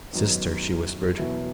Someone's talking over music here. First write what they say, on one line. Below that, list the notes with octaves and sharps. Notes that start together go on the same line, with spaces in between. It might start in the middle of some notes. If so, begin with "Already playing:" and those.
"Sister!" she whispered.
F#2 D#3 F#3 B3 D#4
E2 B2 F#3 B3 E4